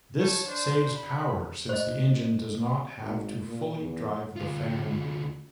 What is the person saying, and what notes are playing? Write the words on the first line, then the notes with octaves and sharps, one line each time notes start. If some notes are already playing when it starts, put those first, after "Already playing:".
This saves power, since the engine does not have to fully drive the fan.
C#5 A5
D4 C5
B5
C5 D#5
G#1
A#2
E2
D2 F4